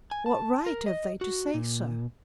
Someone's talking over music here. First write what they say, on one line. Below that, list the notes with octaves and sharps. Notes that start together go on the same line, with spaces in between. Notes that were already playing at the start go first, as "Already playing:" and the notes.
What right have they to say so?
G#5
A5
A#4
D#5
F#4
A#2